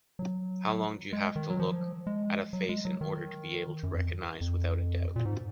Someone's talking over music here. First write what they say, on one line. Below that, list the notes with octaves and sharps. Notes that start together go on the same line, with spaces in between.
How long do you have to look at a face in order to be able to recognize without a doubt.
F#3
G#3
D#3
F#3
F3
G#3
F#3
G#3
F#3
D#3
F#2
F2
F2
A#2
G#2